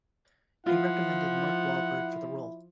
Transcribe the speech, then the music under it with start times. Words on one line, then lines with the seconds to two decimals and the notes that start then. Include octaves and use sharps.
He recommended Mark Wahlberg for the role.
0.66 F3 E4 F4 F#5